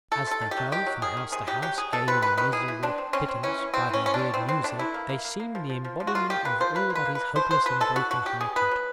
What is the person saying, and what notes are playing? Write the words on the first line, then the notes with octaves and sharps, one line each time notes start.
As they go from house to house, gaining a miserable pittance by their weird music, they seem the embodiment of all that is hopeless and broken-hearted.
A3 A4
C3 A4
D#3
G4
F#3
D#3 G4
F#3
D#3 G#4
D#3
C3 G#4
F#3 G4
F#3 G4
F#3 G#4
C3 A4
C3 B4
D#3 B4
D#3 B4
E3 G#4
E3
C4 D4
C4
C4 C#4
C4
E3 C#4
E3
E3 C4
E3 C#4
E3 C#4
C4 D4
E3 C4
E3 C4
A3 D4
E3 E4
A#3
A#3
A#3
A#3
F3
F3
F3
F3
F#4
A#3 F4
A#3 G4
A#3 B4
F3 C5
A#3 B4
A#3
B4
A#3
B4
A#3
B2 C5
F#3 C5
B2 B4
B2 A4
B2 F#4
B2 F#4
F#3 G4
B2 G#4
B3 B4
F#3